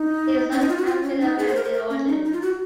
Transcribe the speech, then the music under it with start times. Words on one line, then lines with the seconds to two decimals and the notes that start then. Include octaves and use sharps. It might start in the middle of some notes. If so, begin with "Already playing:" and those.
He is of African-American origin.
Already playing: D#4
0.52 C#4
0.61 D#4
0.69 F4
0.78 F#4
0.86 F4
1.03 C#4
1.21 D#4
1.39 G#4
1.48 C5
1.56 A#4
1.64 C5
1.73 A#4
1.90 C#4
2.08 D#4
2.24 D#4
2.33 F4
2.42 F#4